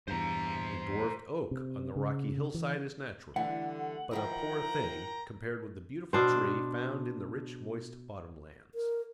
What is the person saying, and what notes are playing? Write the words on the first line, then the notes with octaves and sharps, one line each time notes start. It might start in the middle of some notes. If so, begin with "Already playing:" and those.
The dwarfed oak on the rocky hillside is natural, but a poor thing compared with the beautiful tree found in the rich, moist bottom lands.
E2 G2 C5 A#5
C3
C#3
E3
D3 E3 G3 A3 F#5
D#3 F3 E4 A#4 G5 A#5
B2 D4 C5
A#4